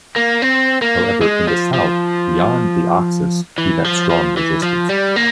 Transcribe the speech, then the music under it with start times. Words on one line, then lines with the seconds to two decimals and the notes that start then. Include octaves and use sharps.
However, in the south, beyond the Oxus, he met strong resistance.
0.16 A#3
0.42 C4
0.82 A#3
1.21 G#3
1.47 F3
1.74 F3
3.58 E3
3.84 F3
4.10 F3
4.37 E3
4.63 F3
4.89 G3
5.16 A#3